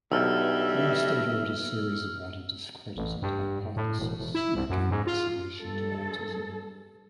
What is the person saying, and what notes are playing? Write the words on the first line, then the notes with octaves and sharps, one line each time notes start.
Olmsted wrote a series about a discredited hypothesis linking vaccination to autism.
B1 G2 E5 E6 F6
A1
G2
A2
E1
E1
E4
C2
F#2
G#2
F4
G2 A4